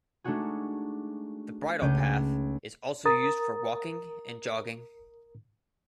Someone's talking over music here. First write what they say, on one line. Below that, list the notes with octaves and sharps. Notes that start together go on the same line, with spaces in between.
The Bridle Path is also used for walking and jogging.
G#3 A3 D4 D#4 F#4 G#4
C#2 C#3 A3 G6 D#7
A#4 A#5 D#6 A6